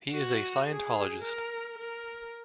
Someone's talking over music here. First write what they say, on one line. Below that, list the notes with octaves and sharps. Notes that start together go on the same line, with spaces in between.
He is a Scientologist.
F#4
G#4
A#4
A#4